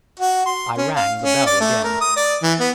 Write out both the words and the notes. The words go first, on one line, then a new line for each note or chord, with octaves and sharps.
I rang the bell again.
F#4
C6
C#4
F5
C#4
D5
A3
A#4
D#6
D5
E3
B3